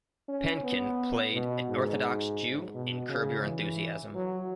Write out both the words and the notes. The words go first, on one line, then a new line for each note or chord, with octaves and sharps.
Pankin played an Orthodox Jew in "Curb Your Enthusiasm".
C#4
B3
B2
G#2
B2
C#3
E3
F#3